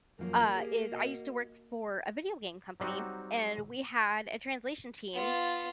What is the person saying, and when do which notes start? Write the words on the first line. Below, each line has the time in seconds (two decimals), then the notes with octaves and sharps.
uh, is I used to work for a video game company, and we had a translation team
0.19 F#2 F3 F#3 A#3
0.56 G4 G#4
0.92 F#4 D#5
2.80 F#3 G3 C4 D#4 F#4
5.13 B3 F4